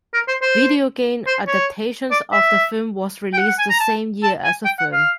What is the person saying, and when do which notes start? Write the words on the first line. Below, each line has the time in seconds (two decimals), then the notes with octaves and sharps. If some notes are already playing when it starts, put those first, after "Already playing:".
Video game adaptations of the film was released the same year as the film.
0.14 A#4
0.28 C5
0.42 C5
1.27 C5
1.47 C#5
2.11 D5
2.32 E5
3.33 G5
3.38 F#5
3.48 F#5
3.59 G#5
3.70 A#5
3.80 A5
4.23 A5
4.44 G#5
4.65 G5
4.79 F#5
4.93 F5